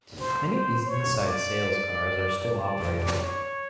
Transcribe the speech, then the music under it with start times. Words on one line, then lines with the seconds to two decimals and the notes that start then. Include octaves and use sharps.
Many of these "inside sales cars" are still operating.
0.20 C5
0.53 C5
0.87 C#5
1.20 D5
2.53 D5
3.19 C#5